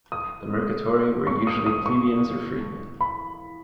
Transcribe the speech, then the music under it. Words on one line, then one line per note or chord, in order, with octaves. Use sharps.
The mercatores were usually plebeians or freedmen.
D#6
C#6
D#6
D#6
C#6
B5